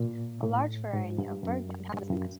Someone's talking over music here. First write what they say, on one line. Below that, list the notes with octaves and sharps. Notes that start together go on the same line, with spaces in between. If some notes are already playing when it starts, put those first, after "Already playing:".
A large variety of birdlife inhabits the reedbeds.
Already playing: A#2
A2
G#2
G2
F#2
G2
F#2